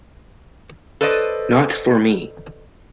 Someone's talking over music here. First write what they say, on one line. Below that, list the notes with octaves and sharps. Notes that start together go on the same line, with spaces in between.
Not for me.
A4 B4 C5 D5 D#5